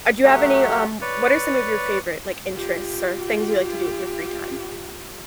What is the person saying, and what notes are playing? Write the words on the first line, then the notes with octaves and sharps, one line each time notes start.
Uh, do you have any, um, what are some of your favorite, like, interests or things you like to do with your free time?
F#3 A3 G4 F#5
B4 C#5 D5
F4 G4